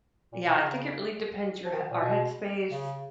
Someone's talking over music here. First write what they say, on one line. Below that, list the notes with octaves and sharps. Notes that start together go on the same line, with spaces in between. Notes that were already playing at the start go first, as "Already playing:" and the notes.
Yeah, I think it really depends your h our headspace,
A#2
B2
C#3
F3
D#3
A#2
B2
C#3